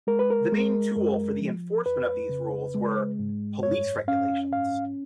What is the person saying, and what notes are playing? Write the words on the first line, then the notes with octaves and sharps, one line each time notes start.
The main tool for the enforcement of these rules were "police-regulations".
G#3 A#4
B4
A#4
G#3
F#2
F3
F2 B4
C#3
G#3
G#2
F#2 C#5
C#4 F5
G#2 F5